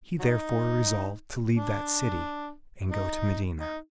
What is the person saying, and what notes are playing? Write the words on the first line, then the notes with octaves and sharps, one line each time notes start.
He therefore resolved to leave that city and go to Medina.
F#3 D#4
D4
D#4
D#4